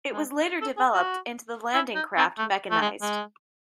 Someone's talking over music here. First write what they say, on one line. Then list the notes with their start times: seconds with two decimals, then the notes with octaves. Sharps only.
It was later developed into the landing craft mechanised.
0.13 G#3
0.61 A4
0.77 G#4
0.94 F#4
1.74 E4
1.95 D#4
2.17 C4
2.38 A3
2.71 A3
2.81 G#3
3.02 G#3